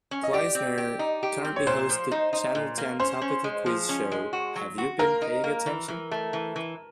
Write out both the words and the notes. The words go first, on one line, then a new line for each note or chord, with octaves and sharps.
Gleisner currently hosts the Channel Ten topical quiz show Have You Been Paying Attention?
C#4
D#5
G4 D5
C4
G4
D#4
G4
C4
C#5
A#2 C5
F3
D#4
D#4
A#2
A#3
C#4 C5
C#4
G#3
F3
C#4
G#3
F#4
F#3
F#4
A#3 A#4
D#4
A#3
E3
E3
A3
E3
E3